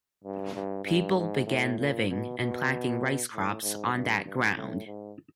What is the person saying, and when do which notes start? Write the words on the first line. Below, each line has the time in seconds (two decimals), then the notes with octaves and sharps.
People began living and planting rice crops on that ground.
0.24 G2
0.55 G2
0.86 G2
1.17 G#2
1.47 A2
1.78 A#2
2.10 B2
2.39 B2
3.33 A2
3.63 G#2
3.94 G2
4.24 G2
4.56 A2
4.86 G#2